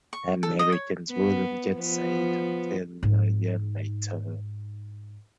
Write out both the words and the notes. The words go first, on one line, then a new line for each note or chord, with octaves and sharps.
Americans wouldn't get Sade until a year later.
C#6
A4
D#5
C#5
B3
F3 B3
G#2 D#4